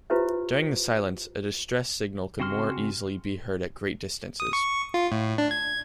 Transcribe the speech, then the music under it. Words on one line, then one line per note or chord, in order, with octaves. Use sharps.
During the silence, a distress signal could more easily be heard at great distances.
E4 F4 G4 B4 C5 E5
C#3 C4 F#4 C6 F6
D#6
C#6
F4
A2
D4
G#6